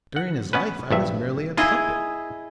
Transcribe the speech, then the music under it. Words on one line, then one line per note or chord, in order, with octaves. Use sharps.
During his life I was merely a puppet.
F#5
B3 C#4 B4
A#1 G2 E5
E4 F4 G#4 D#5